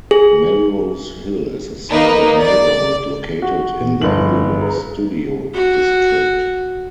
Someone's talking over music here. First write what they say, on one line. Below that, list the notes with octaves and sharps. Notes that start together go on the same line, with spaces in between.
Melrose Hill is a small neighborhood located in the Hollywood Studio District.
G#4
A#3 D#4 B4
D5
F#4
A#2 B3
G1 G2 F3 E4 F#7
G#4 B4 A#5
F#4